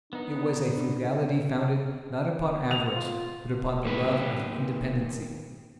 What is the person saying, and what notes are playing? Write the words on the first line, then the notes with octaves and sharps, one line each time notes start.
It was a frugality founded not upon avarice, but upon the love of independency.
B3 D4 D#4
F7
F4
D#2 B4